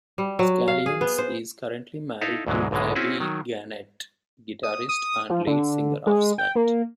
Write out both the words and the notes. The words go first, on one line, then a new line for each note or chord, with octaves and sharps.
Scallions is currently married to Abby Gennet, guitarist and lead singer of Slunt.
G3
F#3
F5
G#4
B3
C5
D#4 E4 A4 F5
D2 G#2 B2 E3 F#3 G#3
B1 G#2 B2 D3 G#3
C4 C#4 E4 F#4 G#4
D#3 F#3
D#6
D#6
F3
D3
G#3
G5
A#3